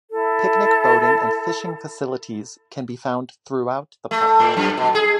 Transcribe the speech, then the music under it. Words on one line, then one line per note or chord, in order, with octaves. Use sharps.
Picnic, boating, and fishing facilities can be found throughout the park.
E4 A4
A3
A2
F#2
B2
G#4